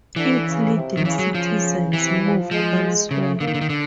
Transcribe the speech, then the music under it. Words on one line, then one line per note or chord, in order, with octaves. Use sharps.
Its leading citizens moved elsewhere.
D3 E3
C#3
C3
D#3
C#3 E3
F#3
C#3 F3
C3 E3
F3
F3 G#3
C#3 A3
D3 A#3
D#3
D3
D#3
D3